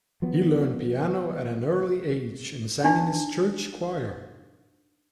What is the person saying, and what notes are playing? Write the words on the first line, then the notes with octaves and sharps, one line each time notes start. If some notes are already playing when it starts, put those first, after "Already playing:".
He learned piano at an early age and sang in his church choir.
F3 F#3 B3
D4 D#4